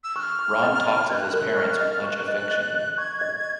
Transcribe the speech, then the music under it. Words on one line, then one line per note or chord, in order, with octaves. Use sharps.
Ron talks of his parents with much affection.
E6
C#6 F6 F#6
C#6
D#5
D#5
D#5 F#6 G#6
A#4
C#6 F6
D#5
C#6 F#6
D#5
D#5
D#5
C#6 G#6
D#5